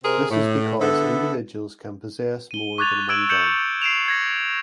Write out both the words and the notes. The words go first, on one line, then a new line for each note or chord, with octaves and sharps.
This is because individuals can possess more than one gun.
C3 C4 G#4 A#4
A2
D3 B3 E4 A4
D#7 G7
C#6 D6 F#6 G#6 A6 F7
D6 E6 G#6 D7 E7 F#7
G6 C#7 E7 F#7
C7 D7 E7 F7
G#6 A#6 C#7